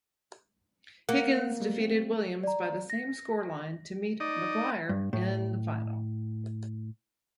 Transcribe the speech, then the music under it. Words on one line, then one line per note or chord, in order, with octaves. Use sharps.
Higgins defeated Williams by the same scoreline to meet Maguire in the final.
A#3 F#5
G3 G#3
A3 C4
D5 A#5
A#6
D#4 D5 D#5
G2
A2